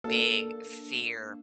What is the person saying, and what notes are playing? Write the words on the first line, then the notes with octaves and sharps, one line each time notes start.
big fear
A#3 D4 A4